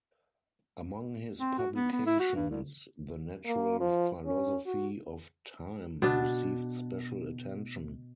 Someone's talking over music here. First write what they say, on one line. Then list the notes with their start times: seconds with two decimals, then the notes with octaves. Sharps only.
Among his publications, "The Natural Philosophy of Time" received special attention.
1.40 C4
1.58 F#4
1.75 B3
1.93 B3
2.06 E4
2.19 F#4
2.35 G2
2.50 C2
3.46 A#3
3.80 F3
4.25 C#4
4.66 F#4
6.02 B2 D4